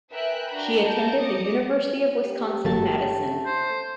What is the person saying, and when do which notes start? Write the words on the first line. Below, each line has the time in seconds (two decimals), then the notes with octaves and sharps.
She attended the University of Wisconsin-Madison.
0.11 A#4 B4 E5 G5 G#5 F#6
0.49 D4 F#4 G5 A#5 B5
0.81 A#4 A5 A#5 G6
1.19 D6 D#6 A#6 C#7
2.23 G4
2.65 G1 F#3 A3 A6
3.45 C5